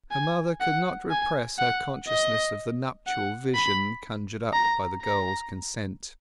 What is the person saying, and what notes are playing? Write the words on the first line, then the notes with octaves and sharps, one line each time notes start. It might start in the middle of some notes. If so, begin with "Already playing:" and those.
Her mother could not repress her consciousness of the nuptial vision conjured up by the girl's consent.
G#5
F#5
G#5
F#5
D#5
F#5
B5
A#5
A#5